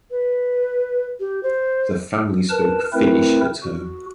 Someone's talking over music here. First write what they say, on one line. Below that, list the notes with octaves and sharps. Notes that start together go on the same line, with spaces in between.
The family spoke Finnish at home.
B4
G4
C5
A#4 B4 A5
A3 C4 E4 A#4 B4
F#4